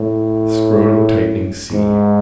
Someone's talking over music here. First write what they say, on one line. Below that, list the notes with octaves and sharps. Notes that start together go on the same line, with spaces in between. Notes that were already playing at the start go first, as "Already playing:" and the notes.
The scrotumtightening sea.
Already playing: A2
G#2